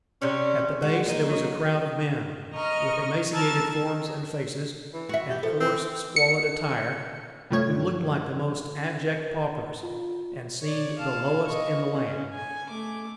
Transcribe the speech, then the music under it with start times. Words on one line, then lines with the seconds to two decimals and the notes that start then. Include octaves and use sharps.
At the base there was a crowd of men, with emaciated forms and faces, and coarse, squalid attire, who looked like the most abject paupers, and seemed the lowest in the land.
0.22 C3 C#4 C#5 D5
0.82 G#3 F#4
1.06 A#3 D#4
1.28 F#3
2.52 D#5 A#5 C#6 D#6 F6
3.33 A5 A#5 E6 F6 G#6 A6
4.93 E3
5.09 F#4 E5
5.29 G4
5.43 F3 A4
5.60 C4
6.16 C#7
7.51 G2 C3 F3 A3 C#5 G#6
9.83 F4
10.62 C#5 D5
10.99 F5 A5
11.46 D#5 C#6
11.93 C#4
12.33 G#5
12.68 A3 D6